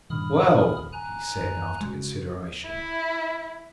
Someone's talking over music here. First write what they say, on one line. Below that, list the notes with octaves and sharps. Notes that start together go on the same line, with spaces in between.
"Well!" he said, after consideration.
G2 A#2 D#3 B5 D#6 F6
G#5 A#5 F#6
F#2
C#3 G#3 F#4
E4